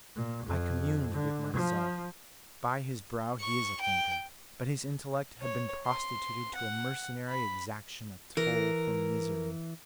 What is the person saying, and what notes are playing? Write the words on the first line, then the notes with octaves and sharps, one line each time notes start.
I communed with myself: By his brow he is a thinker, but his intellect has been prostituted to a mercenary exaction of toll from misery.
A#2
F2
D3
F3
C#6
G5
C#5
C6
F#5
B5
E3 A#4